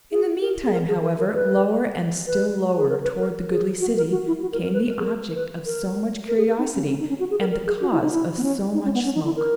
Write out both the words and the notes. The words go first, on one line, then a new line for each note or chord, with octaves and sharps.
In the meantime, however, lower and still lower toward the goodly city, came the object of so much curiosity, and the cause of so much smoke.
G#4
A#4
G#4
A#4
G#4
A#4
A#4
B4
B4
G#4
A#4
B4
A#4
G#4
F#4
A#4
F#4
E4
F#4
A#4
A#4
B4
A#4
G#4
A#4
B4
A#4
A#4
G#4
A#4
D#4
C#4
C#4
D#4
C#4
F#4
G#4
A#4
A#4
G#4
F#4
E4
D#4
E4
B3
C#4
D#4
C#4
B3
C#4
D#4
E4
A#4